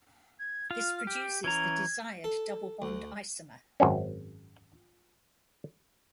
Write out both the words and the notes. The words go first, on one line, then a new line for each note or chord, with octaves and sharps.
This produces the desired double bond isomer.
G#6
F4 F6
G4
E3 C#4 A#5 G#6
A4
D2
G#1 F#2 C4 C#4